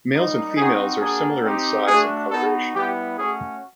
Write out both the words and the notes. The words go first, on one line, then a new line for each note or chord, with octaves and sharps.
Males and females are similar in size and colouration.
G3 A#3 D#4
C4 D#4 F#4 G#4
A#3 D4 F#4 G#4
C4 D#4 G4
A3 D4 F#4 G#4
B3 D#4 F#4 A4
G3 B3 E4 G4
A3 C#4 F#4 G#4